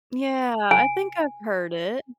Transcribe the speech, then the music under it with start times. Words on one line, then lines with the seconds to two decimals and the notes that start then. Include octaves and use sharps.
Yeah, I think I've heard it.
0.71 G#5